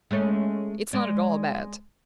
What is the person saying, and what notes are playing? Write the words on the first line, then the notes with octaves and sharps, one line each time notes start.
It's not at all bad.
G#3 A3 C#4
G#3 D5